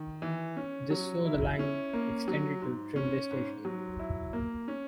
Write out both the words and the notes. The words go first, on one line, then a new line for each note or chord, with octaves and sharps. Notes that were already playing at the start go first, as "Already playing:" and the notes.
This saw the line extended to Trimley station.
Already playing: D#3
E3
C#4
F#3
E4
C#4
A#3
F#3
G#2
C#4
G#2
F#3
E4
A#3
C#4